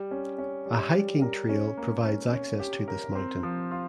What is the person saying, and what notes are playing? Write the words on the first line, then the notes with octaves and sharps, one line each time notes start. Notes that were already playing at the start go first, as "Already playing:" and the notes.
A hiking trail provides access to this mountain.
Already playing: G3
C#4
C#4
G3
G3
A#4
C#4
A#3
C#4
C#4
G4
A#4
C4
F3
F4